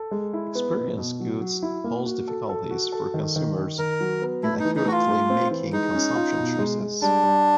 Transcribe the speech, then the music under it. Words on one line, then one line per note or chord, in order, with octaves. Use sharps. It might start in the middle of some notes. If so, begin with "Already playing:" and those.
Experience goods pose difficulties for consumers in accurately making consumption choices.
Already playing: A4
G#3
E4
B3
B2
B2
F#3
F#3
E4
A#3
F#4
A4
A4
F#4
A4
D#3
D#3
D#3
D#3 A#4
F#3
B3
A3 E4
D#4
E3
D#4
A3 F#4
F4
A3
C4
E3
G#3 D#4
C#4
F4
B2
G#3
G#3
G3 D4
G3